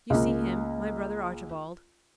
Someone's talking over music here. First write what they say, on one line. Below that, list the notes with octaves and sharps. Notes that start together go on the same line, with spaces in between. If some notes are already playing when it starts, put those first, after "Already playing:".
"You see him--my brother Archibald?"
C#2 A#3